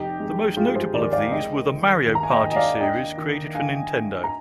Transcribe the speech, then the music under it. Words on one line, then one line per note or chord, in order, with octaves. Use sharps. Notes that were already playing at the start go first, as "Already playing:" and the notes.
The most notable of these were the "Mario Party" series, created for Nintendo.
Already playing: F1 D#4 G4
G#3
G#3 F4 G#4
G#4 C5
D#2 A#4 D5
D5 F5
G#3 D#5 G5
D#3
D#2
A#5
G#5
D#5 G5
D#2
D#5
D5 F5
D4 D#5 G5
D#3
D4 F5 G#5
D4
A#5